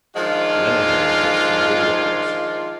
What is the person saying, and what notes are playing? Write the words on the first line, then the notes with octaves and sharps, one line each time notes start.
Lenehan gets some good ones.
D#3 F3 G#3 D4 F4